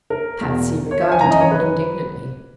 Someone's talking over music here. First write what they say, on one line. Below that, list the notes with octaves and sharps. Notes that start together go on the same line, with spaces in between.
Patsy regarded him indignantly.
A#4
E2 B2
C#5
E5
G#5
F#2 E3 A#5
D#5
C#5
B4